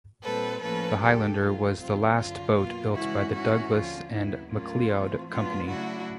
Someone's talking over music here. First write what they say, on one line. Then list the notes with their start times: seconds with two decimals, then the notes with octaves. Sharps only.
The "Highlander" was the last boat built by the Douglass and McLeod company.
0.23 A#2 G3 C4 A4 B4
0.62 A2 F3 A#3 C#4 A4 B4
1.01 D#2 C#3 F#3 A3 G4 A4
1.40 G2 D#3 F#3 A3 F4
1.79 E2 C3 D#3 G3 C4 F4
2.17 F#2 D3 F#3 F4
2.57 B2 F#3 A#3 F4
2.95 C#3 E3 G#3 C#4 E4 F#4
3.34 G#2 D#3 G#3 C#4 E4 F#4
3.73 D#2 D3 F3 F4
4.12 D#2 C#3 F#3 B3 E4
4.51 A2 F#3 A#3 C#4 F4
4.90 A2 E3 A3 C4
5.29 A2 F#3 B3 D4 F4
5.68 C#3 F#3 A3 D4 E4 F#4